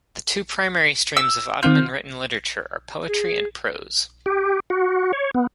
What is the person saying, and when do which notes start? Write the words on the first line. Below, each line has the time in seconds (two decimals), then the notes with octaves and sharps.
The two primary streams of Ottoman written literature are poetry and prose.
1.17 E6
1.63 D#3 C4 F4 G6
3.08 G#4
4.26 G4
4.70 F#4
5.13 C#5
5.35 B3